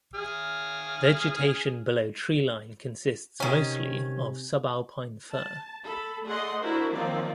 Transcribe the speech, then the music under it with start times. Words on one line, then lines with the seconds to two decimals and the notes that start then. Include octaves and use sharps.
Vegetation below treeline consists mostly of subalpine fir.
0.15 G#4 F6
3.40 C3 D#3 C#4
5.32 A5
5.84 A4 B5
6.27 A3 G#4 D5 D#5 F#5 C6
6.60 D4 E4 F#4 A#4 C5
6.92 D#3 F3 F#3 A#3 C4 D5